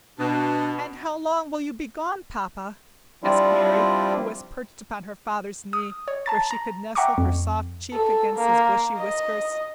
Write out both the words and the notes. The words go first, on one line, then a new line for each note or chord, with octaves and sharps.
"And how long will you be gone, papa?" asked Mary, who was perched upon her father's knee, where she could nestle her soft cheek against his bushy whiskers.
B2 D4
F3 G3 C4 D4 E4 F4
D#6
C#5
A5 A#5 A6
A#5
E5 F#5 G5 A#5 C#6 D6
F2
A4
A#3
D#5